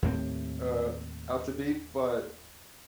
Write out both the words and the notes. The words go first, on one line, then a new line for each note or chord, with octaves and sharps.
uh, out to be, but
D#2 A2 C4